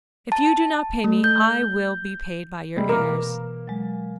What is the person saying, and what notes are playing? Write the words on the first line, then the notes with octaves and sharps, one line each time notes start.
'If you do not pay me I will be paid by your heirs.'
A5
A3
G6
C3 G3 G#3
B2 E3 A#3 A#4 D6
F#3 G#3